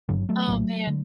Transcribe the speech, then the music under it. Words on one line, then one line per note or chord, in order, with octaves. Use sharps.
Oh, man.
G1 G2 D3 F#3
F#3 A3
A#1 A2 F#3 A3
D3